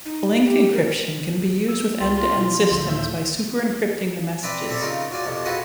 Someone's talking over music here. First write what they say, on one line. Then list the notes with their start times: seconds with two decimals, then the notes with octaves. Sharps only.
Link encryption can be used with end-to-end systems by superencrypting the messages.
0.05 D#4
0.45 G4
0.72 A#4
1.68 E6
2.00 C2 F4 B4 G5 C6
2.33 B2 F3 E4
2.71 D2 A2 D3 E5 G6
4.43 C4 B4 D5 E5 G5 A5
4.69 G3 C4 A4 E5
4.82 C#3 D#4 F4 A#4
5.11 F#3 F4 D5 G#5
5.24 F2 C3 A5
5.45 F4 F#4 G#4 A4 B4 D#5